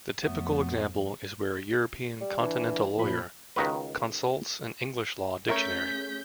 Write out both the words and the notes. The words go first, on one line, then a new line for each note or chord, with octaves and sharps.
The typical example is where a European continental lawyer consults an English law dictionary.
F2 F#3 A3 B3
G3
E3 D4
A#2 F3 B5
C#2 D#3 F#4 B4
A3 C#4 G#4 A#4 C#5 E5 G6 B6